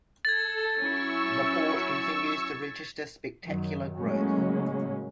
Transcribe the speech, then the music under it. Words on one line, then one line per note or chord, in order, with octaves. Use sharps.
The port continues to register spectacular growth.
A4 G#6 A6
F#3 C#4 E4 C#6 E6
F#2 D#3 F#3
A2 C#3 F#3 G#3 A#3 C#4